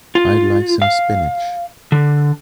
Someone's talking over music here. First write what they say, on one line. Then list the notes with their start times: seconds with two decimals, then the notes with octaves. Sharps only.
I’d like some spinach.
0.15 F4
0.82 F5
1.92 D3